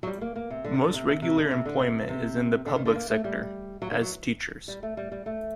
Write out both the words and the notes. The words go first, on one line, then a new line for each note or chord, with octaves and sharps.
Most regular employment is in the public sector, as teachers.
F#3
G3
A#3
A#3
C3
D3
C3
D3
C3
C3
C3
D3
C3
D3
C3
C3
D3
D#3
D3
A#3
A3
G3
F#3
D#3
F#3
G3
A3
G3
G3
A3